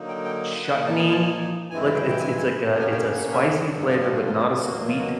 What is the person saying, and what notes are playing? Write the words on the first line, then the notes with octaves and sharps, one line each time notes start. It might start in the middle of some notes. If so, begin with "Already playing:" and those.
chutney, like, it’s it’s like a it’s a spicy flavor, but not a sweet
Already playing: D3 F#3 A#3 D#4
G5
G5
F#5
A#2 F3 A#3 D#4 G5
A5
G#5
A5
G#5
G2 E3 G#3 C4 E4 G#5
G5
G5
G#5
F2 C3 F3 A#3 C#4
G#5
G5
F5
F#5
E5
D#5
D#5
G2 D3 F3 D5
A4
A4
G4
F#4
F4
F#4
F4
E2 B2 F#3 A#3 F#4
F4
F#4